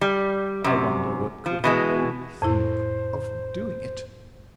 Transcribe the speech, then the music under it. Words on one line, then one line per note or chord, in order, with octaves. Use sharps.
I wonder what could have made me think of doing it!
G3
F#2 C3
F3
B2 E3 G#3
F2 A2 E4 C5